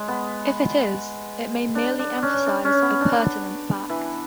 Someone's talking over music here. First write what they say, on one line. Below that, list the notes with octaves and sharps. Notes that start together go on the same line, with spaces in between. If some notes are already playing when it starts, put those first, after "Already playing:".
If it is, it may merely emphasize a pertinent fact.
Already playing: G#3
B3
D4
D4
C#4
D4
C#4
B3
D4
D4
E3